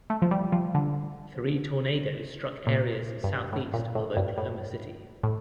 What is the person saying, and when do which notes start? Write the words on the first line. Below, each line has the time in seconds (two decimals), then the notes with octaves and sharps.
Three tornadoes struck areas southeast of Oklahoma City.
0.10 A3
0.22 F3
0.31 G3
0.52 F3
0.75 D3
2.67 A#2
3.24 G2
3.53 A2
3.74 A#2
3.95 A2
4.17 G2
4.38 A2
5.23 A2